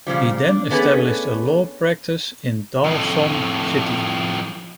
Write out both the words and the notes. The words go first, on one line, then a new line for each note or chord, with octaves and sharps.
He then established a law practice in Dawson City.
A#2 C#3 F3 G3
D4
A3 B3 C#4 D4 G#4 B4
F2 A2